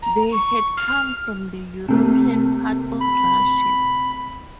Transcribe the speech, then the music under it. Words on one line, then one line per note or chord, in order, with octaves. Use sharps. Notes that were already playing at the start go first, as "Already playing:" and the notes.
They had come from the European part of Russia.
A#5
C#6
F6
C3 A3 A#3
B5